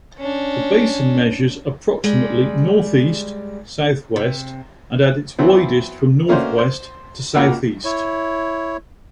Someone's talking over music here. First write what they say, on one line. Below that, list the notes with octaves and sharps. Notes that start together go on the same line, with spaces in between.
The basin measures approximately northeast-southwest and at its widest from northwest to southeast.
C#4 D4
G3 G#3
C3
E3 F#3 B3 C4
A3 A#3 C#4 D4 F#4 C5
C5
C#2 A#3 F#4 F#5 E6
E4 C#5